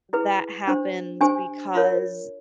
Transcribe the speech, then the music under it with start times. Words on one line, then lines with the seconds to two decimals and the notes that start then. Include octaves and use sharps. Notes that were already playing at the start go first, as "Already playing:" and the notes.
that happens because
0.13 E4 G#4 B4
0.67 D4 G4 C5
1.21 D4 G4 C5 G#5
1.75 F4 A#4 C#5